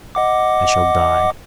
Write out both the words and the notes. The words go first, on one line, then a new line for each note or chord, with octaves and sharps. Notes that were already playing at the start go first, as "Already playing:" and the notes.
I shall die.
D#5 F#5 D6